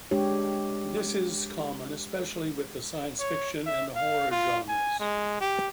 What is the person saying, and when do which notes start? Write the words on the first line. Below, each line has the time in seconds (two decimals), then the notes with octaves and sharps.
This is common especially with the science fiction and horror genres.
0.11 G#3 D4 G4 C#5
3.19 C#5
3.66 E5
3.96 F5
4.31 F4
4.68 G#5
5.00 G#3
5.40 G4